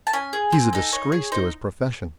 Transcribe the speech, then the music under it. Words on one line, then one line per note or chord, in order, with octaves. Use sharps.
"He's a disgrace to his profession!"
A5
C#4 G#5
G#4
C4
D#4 A4
D#4 C#5
G#4
D#4 C5